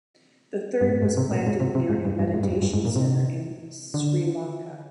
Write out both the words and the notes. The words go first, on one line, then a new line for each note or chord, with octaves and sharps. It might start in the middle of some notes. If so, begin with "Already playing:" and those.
The third was planted near a meditation center in Sri Lanka.
G2
G#2
G#2
C3
A#2
G#2
C3
C3
G#2
G2
G2
G#2
G2
F2
G2
G#2
A#2
C3
D3